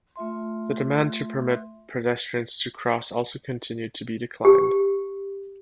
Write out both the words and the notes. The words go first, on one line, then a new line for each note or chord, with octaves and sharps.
The demand to permit pedestrians to cross also continued to be declined.
A3 F4 E5 C6
G4